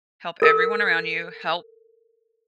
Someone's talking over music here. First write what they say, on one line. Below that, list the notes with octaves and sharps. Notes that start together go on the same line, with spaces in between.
help everyone around you, help
A4 A#4